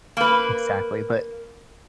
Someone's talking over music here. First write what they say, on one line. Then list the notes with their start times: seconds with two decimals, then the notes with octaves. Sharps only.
Exactly, but,
0.17 A#3 B4